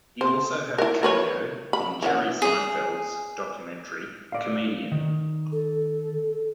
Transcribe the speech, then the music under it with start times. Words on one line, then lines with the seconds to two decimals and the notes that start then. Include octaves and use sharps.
He also had a cameo in Jerry Seinfeld's documentary, "Comedian".
0.21 C5
0.78 E4 A#4
1.03 A#4 B4 C#5
1.73 B5
2.02 E3 C#4 F#5
2.42 G#4
4.32 D5 F5
4.92 D#3
5.52 A4